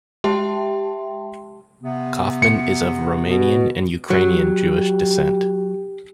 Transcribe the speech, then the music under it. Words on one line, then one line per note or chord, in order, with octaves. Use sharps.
Kaufman is of Romanian and Ukrainian Jewish descent.
G#3 G4 E5 G5 A5 C6
C3 B3
C#7
B2
F#3 G4